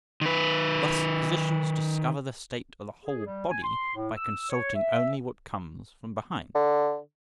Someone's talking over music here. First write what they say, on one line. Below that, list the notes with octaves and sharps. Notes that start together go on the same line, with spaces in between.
Thus physicians discover the state of the whole body by consulting only what comes from behind.
D#3 B4
G#4
G3
G#5
C6
A2
E6
C#5
E5
D3